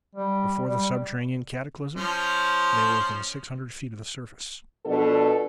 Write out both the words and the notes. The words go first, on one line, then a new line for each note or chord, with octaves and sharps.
And before the subterranean cataclysm, they were within six hundred feet of the surface.
G3
G3
F3 C#4 C5
B2 F3 D4 A4